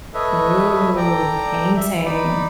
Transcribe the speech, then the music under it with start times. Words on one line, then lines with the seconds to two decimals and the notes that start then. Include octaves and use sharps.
Ooh, painting.
0.14 A4 B4 C#5 D#5 E5
0.96 A4 D5 G5 A#5
1.76 E5
2.05 D#4 D5 B5